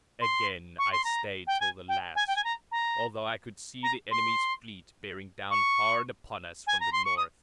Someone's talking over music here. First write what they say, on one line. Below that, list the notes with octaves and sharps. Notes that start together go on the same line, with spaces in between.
Again I stayed till the last, although I could see the enemy's fleet bearing down hard upon us from the north.
C6
C#6
C6
A#5
G5
G#5
G5
G#5
G5
G#5
A#5
A#5
A#5
C6
C#6
G#5
A#5
C6
C#6
D#6